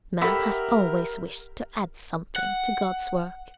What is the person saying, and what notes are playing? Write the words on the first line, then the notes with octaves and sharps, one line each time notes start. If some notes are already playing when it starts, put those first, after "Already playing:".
Man has always wished to add something to God's work.
G4 A4 A#4 E5 F#5 B5
F#5